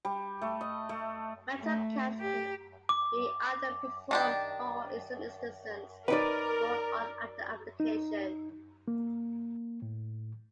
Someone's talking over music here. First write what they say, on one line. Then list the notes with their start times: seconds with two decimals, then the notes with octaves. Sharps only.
Metal caps can be either preformed or in some instances, rolled on after application.
0.05 G3
0.42 A3
0.61 D#5
0.89 A3
1.61 A3
2.19 G4
2.89 D6
4.11 D#3 D4 G4
6.08 D#4 A#4 B4 D5 D6
7.80 D#4
8.88 A#3
9.82 A2